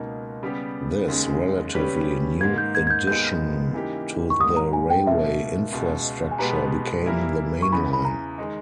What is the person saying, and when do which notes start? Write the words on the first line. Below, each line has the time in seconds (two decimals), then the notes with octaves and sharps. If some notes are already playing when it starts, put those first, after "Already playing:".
This relatively new addition to the railway infrastructure became the main line.
Already playing: C#2 B2 A#3 D#4
0.42 C#3 G3 B3 G4
1.08 D#2 C#3 G#3
1.74 C#3 G3 C#4 G4 B4
2.41 G#2 D#3 A#3 G#6
2.58 G6
2.75 G#6
2.87 G#6
2.90 G6
3.07 D#2 D#3 G#3 B3 D#4 G6
3.73 C#3 E3 A#3 D#4 G4
4.30 C#6
4.40 G#2 G3 A#3 D#6
4.57 A#5
4.73 G#5
4.90 G5
5.06 C#2 B2 A#3 E5
5.72 C#2 B2 G#3
6.31 G#5
6.39 B2 G#3 B3 G4 B4 A#5
7.06 E3 G3 A#3 E4 A#4
7.62 C#6
7.72 E2 C#3 E3 B5
7.93 B5
8.05 A#5
8.38 D#3 G#3 D#4